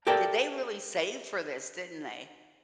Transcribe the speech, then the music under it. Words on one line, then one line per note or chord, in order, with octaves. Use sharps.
did they really save for this, didn't they?
G4 A4 A#4 D5 E5 G5